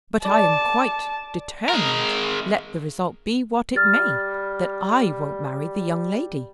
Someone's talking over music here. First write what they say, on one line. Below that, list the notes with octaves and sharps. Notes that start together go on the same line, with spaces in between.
"But I am quite determined, let the result be what it may, that I won't marry the young lady."
D5 A5
G#3 A#4
G3 F6 A6